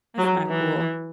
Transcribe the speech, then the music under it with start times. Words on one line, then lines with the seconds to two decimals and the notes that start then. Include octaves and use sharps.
That's not cool.
0.18 F#3
0.48 E3